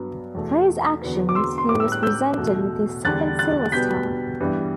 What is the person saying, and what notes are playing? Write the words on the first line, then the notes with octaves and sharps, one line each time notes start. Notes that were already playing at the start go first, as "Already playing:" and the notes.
For his actions, he was presented with his second Silver Star.
Already playing: G2 F#3 B3
E2 B2 A3
E2 D3 F#3 B3
D6
C6 E6
C6
A2 G3 B3 D6
E6
F#6
E6 G6
E2 B2 A3
E2 D3 G3 F#6 A6
F#6 A6
B2 G3 B3 G6 B6
G2 E3 G3 B3